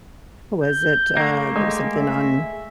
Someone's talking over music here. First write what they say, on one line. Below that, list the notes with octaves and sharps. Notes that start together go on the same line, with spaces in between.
what was it, uh, there's something on
G6
A3 A#3
G#3 G4
E5